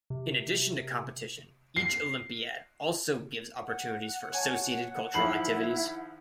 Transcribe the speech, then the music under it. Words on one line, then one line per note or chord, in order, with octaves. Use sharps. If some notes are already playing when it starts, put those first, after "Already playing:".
In addition to competition, each Olympiad also gives opportunities for associated cultural activities.
C3
C7
F#5
C#5 G#5 A5
D#3 F3 E4 G#4 B5 C7 F#7